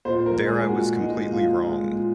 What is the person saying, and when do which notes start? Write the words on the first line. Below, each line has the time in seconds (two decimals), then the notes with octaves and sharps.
There I was completely wrong.
0.05 A#2 C5
0.26 A#4
0.36 G#3
0.47 G#4
0.69 A#2 F#4
1.00 G#3 D#4
1.31 A#2 F4
1.63 G#3
1.95 A#2